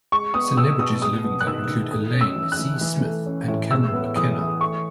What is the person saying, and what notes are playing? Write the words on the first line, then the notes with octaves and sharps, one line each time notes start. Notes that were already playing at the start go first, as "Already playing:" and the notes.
Celebrities living there include Elaine C. Smith and Cameron McKenna.
G#3 C#6
B3 D#6
B2 E6
B2 D#6
G#3 D#6
B3
F#6
D#3 E6
D#3
A3 D#6
C#4
E6
E3
F#6
E3
E3
A3
C#4
A2
G#3 E6
B3
E3 D#6
E3
A3 C#6